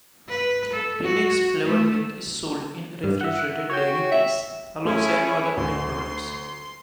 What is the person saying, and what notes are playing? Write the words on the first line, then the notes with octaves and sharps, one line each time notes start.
Pre-mixed flavored milk is sold in the refrigerated dairy case alongside other milk products.
B4
A4
F#4
A3
G2
E5 F#5
F#4 C#5 G5
E5
A3 C#4 E4 G#4
D2 C6